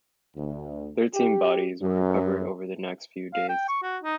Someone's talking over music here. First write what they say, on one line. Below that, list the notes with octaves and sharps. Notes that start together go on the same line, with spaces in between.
Thirteen bodies were recovered over the next few days.
D2
G4
F#2
F5
G5
C#6
F#4
D#4